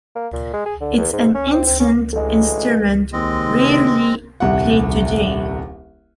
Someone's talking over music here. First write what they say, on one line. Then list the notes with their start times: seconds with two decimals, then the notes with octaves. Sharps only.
It is an ancient instrument rarely played today.
0.15 A#3
0.33 A#2
0.54 G#3
0.66 G#4
0.81 D3
0.97 E2
1.13 G#2
1.35 C#4
1.53 C4
1.67 C4
1.80 C#4
2.13 A1 D2 G#3 A4 D#5
3.13 D#2 G#3 C4 D#5
4.40 D#1 C2 F#5